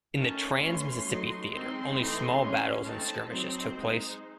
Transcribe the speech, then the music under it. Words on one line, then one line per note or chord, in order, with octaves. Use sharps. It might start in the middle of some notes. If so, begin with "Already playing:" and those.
In the Trans-Mississippi Theater, only small battles and skirmishes took place.
D#3 A3 C#4 A5
E3 A3 C#4 C6
F#3 A3 D#4
D#3 G#3 C4 D#4 C6
E3 A3 C4 D#4
G#3 C#4
D#3 A3 C4 D#4 A5
F#3 C4 D#4 C5
G#3 D#4